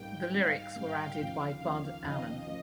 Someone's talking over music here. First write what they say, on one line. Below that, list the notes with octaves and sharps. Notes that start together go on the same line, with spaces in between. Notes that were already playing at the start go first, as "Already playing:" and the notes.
The lyrics were added by Bud Allen.
Already playing: G#2 G3 A#3 G5
G#2 G3 A#3 F5
G#2 G3 A#3 G5
D#2 C#3 F3 A#3 F5
D#2 C#3 F3 A#3
D#2 C#3 F3 A#3 D#5
C#3 F3 A#3